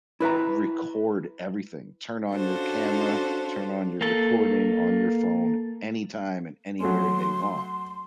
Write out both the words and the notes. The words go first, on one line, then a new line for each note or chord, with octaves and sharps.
record everything, turn on your camera, turn on your recording on your phone anytime, and anywhere they want.
E4 B4 E5 A#5
C#4 D4 F4 F#4 A4 C5
A#3 A4
F#3 A3 C#4 C6